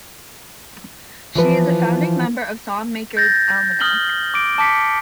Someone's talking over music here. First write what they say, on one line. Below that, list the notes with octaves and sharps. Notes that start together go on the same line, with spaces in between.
She is a founding member of Songmakers' Almanac.
E3 F3 B4
G6 A6 A#6
D#6 F6 F#7 G7
D6 D7
A5 D6 B6 C#7